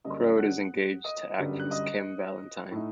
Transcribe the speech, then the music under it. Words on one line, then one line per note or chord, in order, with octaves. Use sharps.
Croad is engaged to actress Kym Valentine.
F#2 D3 G3 A#3 D4 D#5 D#6
F#5 F#6
D#5 D#6
G1 F#2 D3 G3
F#6
D#5 D#6
A2 A3 D#4